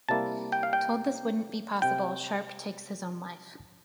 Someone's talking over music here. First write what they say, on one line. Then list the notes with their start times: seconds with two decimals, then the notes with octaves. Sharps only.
Told this wouldn't be possible, Sharpe takes his own life.
0.09 C3 G3 A#3 E4 A5
0.52 G5
0.63 F5
0.73 G5
1.82 C3 G5